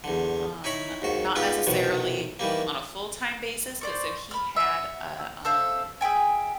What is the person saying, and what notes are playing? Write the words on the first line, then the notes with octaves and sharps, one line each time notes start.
Um, not necessarily on a full-time basis, but so he had, uh, um
E2 D3
D#4 E4 C#5 B5
D#2 G#2 F#4
G#3 B3 D#4 F4 G4
B1 C3 D#3 E3 F#3
D#3 E3 G3 A#3
C5 D5 C#6
B5 F6
E5 F#5
A4 C5 E5 F5
G#4 E5 G5 G#5